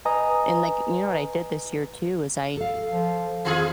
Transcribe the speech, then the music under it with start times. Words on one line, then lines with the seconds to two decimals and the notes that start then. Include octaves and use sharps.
And, like, you know what I did this year too is I
0.05 B4 D#5 G#5 A#5 D#6
2.57 A4 F5
2.90 F3
3.45 F2 D#3 F4 G#4